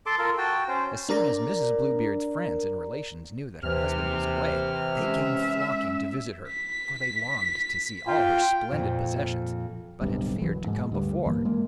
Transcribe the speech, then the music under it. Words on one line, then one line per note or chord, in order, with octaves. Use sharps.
As soon as Mrs. Bluebeard's friends and relations knew that her husband was away, they came flocking to visit her, for they longed to see all her splendid possessions, but had feared to come before.
A4 A5 C6 D6
F4 A4 A#4
F#4 G5 A5
C#4 C5
D4 A#4 D5 A#5
D#2 C3 E3 F6
G#3 C#4 E5
B6
F4 G5
F2 A#2
D1 B1 G2
C2 E3 F#3
A1 G#2
D2 G2
B1 G2 E3 A#3
G#3 A#3